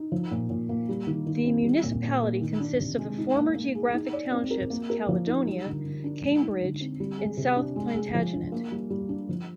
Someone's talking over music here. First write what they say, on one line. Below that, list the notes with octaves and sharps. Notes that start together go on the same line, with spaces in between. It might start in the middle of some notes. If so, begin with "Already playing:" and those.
The municipality consists of the former geographic townships of Caledonia, Cambridge and South Plantagenet.
Already playing: D#4
F3
A#2
A#2
A#3
G3
D#3
D#3
C4
G3
A#2
A#2
A#3
D#3
D4
C3
G#3
D#4
A#3
A#3
G#4
D#4
D5
C4
A#4
A#3
A#4
F3
D#4
G3
D3
D3
D4
G#3
D#4
D3
C4
G3
G#4
C3
D4
G#3
G#4
F3
D4
A#3
G3
G3
D4
F3